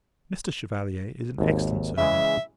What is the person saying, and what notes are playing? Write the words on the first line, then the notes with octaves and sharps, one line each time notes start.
Mr. Chevalier is an excellent servant.
G#1 D#2
C#3 E3 G#3 E5